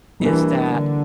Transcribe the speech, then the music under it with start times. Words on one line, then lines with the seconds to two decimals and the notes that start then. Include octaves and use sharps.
is that
0.20 E3 G3 A#3 D4
0.64 D3